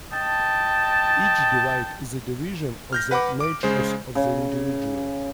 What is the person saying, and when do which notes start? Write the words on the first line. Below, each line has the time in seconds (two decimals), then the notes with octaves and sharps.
Each divide is a division of the natures of the individual.
0.12 D#5 G5 A5
2.93 F6 G6 A#6
3.11 B4 F#5 B5 D6
3.40 D6 D7
3.63 C#3 G#3 C5
4.15 C#3